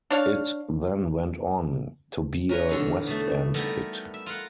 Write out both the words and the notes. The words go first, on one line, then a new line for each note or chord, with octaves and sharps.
It then went on to be a West End hit.
D4 C#5 F5
C#4 A#4 B4 C#5
E2 D3 D#4
B2 A3
G3 A3 B3 D#4 E4 A#4
E5
F4 A#4 F5 F#5